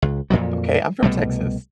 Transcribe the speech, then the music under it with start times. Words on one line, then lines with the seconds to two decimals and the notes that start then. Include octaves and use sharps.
Okay, I'm from Texas.
0.02 C#2
0.30 F2 A#2 F3 F#3
1.03 C2 B2 G3 A3